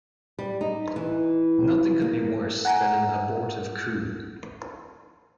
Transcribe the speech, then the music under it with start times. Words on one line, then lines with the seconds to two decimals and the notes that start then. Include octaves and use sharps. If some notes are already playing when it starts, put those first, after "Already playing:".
Nothing could be worse than an abortive coup.
0.39 G3
0.61 D#4
0.96 E3
2.02 A#3
2.65 F#5 G#5 A#5